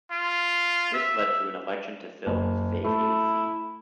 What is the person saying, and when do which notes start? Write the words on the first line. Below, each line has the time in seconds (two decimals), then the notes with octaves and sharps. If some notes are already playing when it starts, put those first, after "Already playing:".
This led to an election to fill his vacated seat.
0.11 F4
0.94 E5
2.27 F#1
2.85 A3 E4